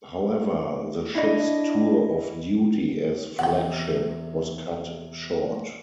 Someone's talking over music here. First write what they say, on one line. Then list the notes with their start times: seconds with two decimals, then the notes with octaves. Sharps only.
However, the ship's tour of duty as flagship was cut short.
1.15 D4 E4 D#5
3.39 E2 C3 F#5 G5